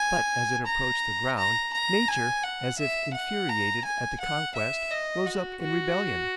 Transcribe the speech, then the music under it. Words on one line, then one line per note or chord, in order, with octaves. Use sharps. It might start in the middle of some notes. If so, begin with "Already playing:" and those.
But as it approached the ground, Nature, as if infuriated at the conquest, rose up in rebellion.
Already playing: G#5
A#5
A#5
A#5
G#5
F#5
E5
F#5
A#5
G#5
F#5
E5
D#5
F#4
F#4